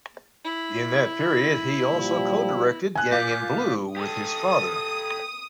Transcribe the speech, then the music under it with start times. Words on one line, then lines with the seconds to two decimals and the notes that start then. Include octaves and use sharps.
In that period he also co-directed "Gang in Blue" with his father.
0.44 E4
1.92 A#2 F3 G3
2.95 G#5 F#6
3.11 A#2 F4 D6 G6 B6
3.97 G4 A4 D#6